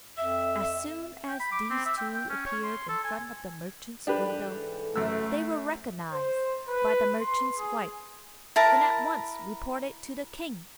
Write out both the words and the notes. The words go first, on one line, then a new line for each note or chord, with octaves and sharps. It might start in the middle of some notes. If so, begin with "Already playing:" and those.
As soon as these two appeared in front of the merchant's window they were recognised by the merchant's wife, and at once reported to the king.
F2 E5 E6
G5
B5
D6
C4
E5
G5
G5
C#4
C#5
C6
A4
G#5
G#2 E3 D4 G4 A4 B4
F#2 A3 E6
C5
B4
C6
G#4
E4 A#4 A5 A#5